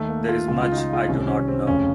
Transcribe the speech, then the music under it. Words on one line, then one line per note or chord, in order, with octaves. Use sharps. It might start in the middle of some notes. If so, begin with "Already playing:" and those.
There is much I do not know.
Already playing: D#2 D#3 A3
A#3
F4
C#2 C#3 F4
F4
D#4
F4
F4
C2 C3 D#3 C#4
C#4
C4
F1 F2 C#3 C#4